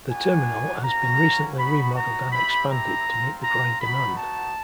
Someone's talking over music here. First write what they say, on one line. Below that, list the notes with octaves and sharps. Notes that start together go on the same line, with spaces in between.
The terminal has been recently remodeled and expanded to meet the growing demand.
B3 D4 F#4 G#5
A#3 C#4 F#4 A#5
B3 D#4 F#4 B5
A#5
C4 E4 G4 B5
A#5
C4 F4
A#5
B3 D#4 F#4 B5
A5